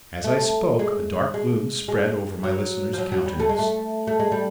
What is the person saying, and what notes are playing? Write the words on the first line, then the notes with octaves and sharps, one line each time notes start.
As I spoke, a dark gloom spread over my listener's countenance.
A3
G#3
G#3
G#3
F#3
F3
F#3
F#3
G3
A3
G#3
A3
A3
G#3
G3